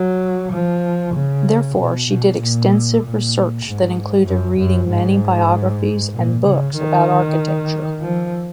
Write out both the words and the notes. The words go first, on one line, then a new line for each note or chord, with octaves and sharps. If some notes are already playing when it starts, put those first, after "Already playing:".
Therefore, she did extensive research that included reading many biographies and books about architecture.
Already playing: F#3
F3
C#3
B2
B2
A#2
A#2
G#2
F#2
F#2
G#2
A#2
C#3
D#3
F3